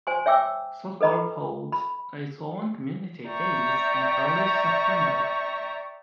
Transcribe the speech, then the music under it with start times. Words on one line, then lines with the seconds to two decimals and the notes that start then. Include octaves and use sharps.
Saltsburg holds its own "Community Days" in early September.
0.07 C5 G#5 C6
0.26 C#5 E5 G5 D6 E6
1.01 A4 B4 D#5 A#5 B5
1.72 B5
3.28 D5 E5 G5 A#5 C#6